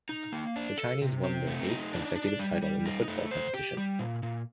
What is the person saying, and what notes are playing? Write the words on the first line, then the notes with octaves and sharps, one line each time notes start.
The Chinese won their eighth consecutive title in the football competition.
D#4
A#3
D4
A4
C3
C4
A3
D#4
D4
D4
G3
G3
D#4
A3
C5
G4
G3
A#2
A#2